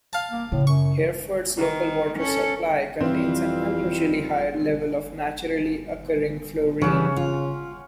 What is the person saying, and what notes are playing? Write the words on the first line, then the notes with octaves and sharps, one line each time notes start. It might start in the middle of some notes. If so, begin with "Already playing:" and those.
Hereford's local water supply contains an unusually high level of naturally occurring fluorine.
F5 A5
A#3
A2 C#3
F#2 C#6
D#3
C#4 A4
F2 E3 G3 C4 F5
C#3 E3 G3 C#4 C#5 F#5
F4